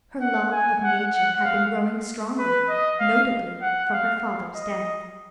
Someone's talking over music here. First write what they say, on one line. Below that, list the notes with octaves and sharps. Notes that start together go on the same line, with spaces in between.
Her love of nature had been growing stronger, notably, from her father's death.
F#5
G#5
F#5
F#5
F5
B4
D#5
F5
F#5
F5
D#5